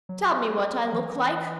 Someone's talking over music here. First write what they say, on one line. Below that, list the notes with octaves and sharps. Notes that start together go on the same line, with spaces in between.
"Tell me what I look like."
F#3
E3